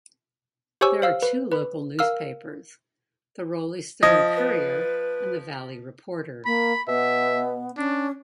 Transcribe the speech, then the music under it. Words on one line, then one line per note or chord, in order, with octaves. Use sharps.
There are two local newspapers: the Roleystone Courier and the Valley Reporter.
G4 C5 C#5 G#5 C#6 E6
C5 F5 E6 F6
B4
B4 B5
A#4 F5 E6 F6
F3 D#5 D#6 G#6
B4
A#3 B5
B2 B3 E5
C#4 D4